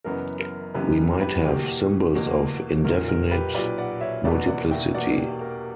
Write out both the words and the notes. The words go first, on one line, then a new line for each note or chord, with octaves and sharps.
We might have symbols of indefinite multiplicity.
F#1 F#2 E3 B3 A#4
A#4
F#1 F#2 E3 B3 G4 B4
G4 B4
E2 B2 A#3 G4
E2 B2 A#3
B1 A#2 F#3 A#4
A#4
G4 B4
B1 A#2 F#3 B4 D5
D5 F#5
C#5 E5
E1 E2 B2 A#3 B4 D5
D5 F#5
E5 G5
E1 E2 B2 A#3 D5 F#5
G4
A#4